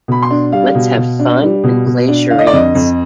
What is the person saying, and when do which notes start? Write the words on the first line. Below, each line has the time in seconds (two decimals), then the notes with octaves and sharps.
Let's have fun and play charades.
0.08 B2 B5
0.22 C6
0.31 D4
0.52 G3 F5
0.75 B2
0.97 B2
1.19 D4
1.42 G3
1.64 B2
1.86 B2
2.09 D4
2.30 D3 F5
2.39 D#5
2.47 D5
2.53 F2 D#5
2.75 F2